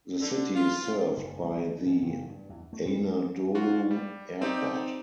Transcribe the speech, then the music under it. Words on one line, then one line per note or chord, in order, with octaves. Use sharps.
The city is served by the Anadolu Airport.
D3
F4
F#1
C2
D#3
G#2
F#1
G2
E2
A3
F2
A3
F4 F#4
G3
C4 D#4 G4 D5